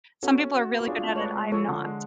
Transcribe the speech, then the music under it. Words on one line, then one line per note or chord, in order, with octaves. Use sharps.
some people are really good at it, I'm not,
C#4 F#4 A4
C#4
F#4
B3
F#4
D4 F4 G#4
F4
A3
F4
C#5
G#3 B4 D5
G#3
F3 A4 C#5
D3
G#3